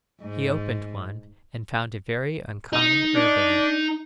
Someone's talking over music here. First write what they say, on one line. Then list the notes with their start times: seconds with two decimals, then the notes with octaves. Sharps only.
He opened one and found a very uncommon herb in it.
0.21 G#2
2.73 D#4
3.15 D4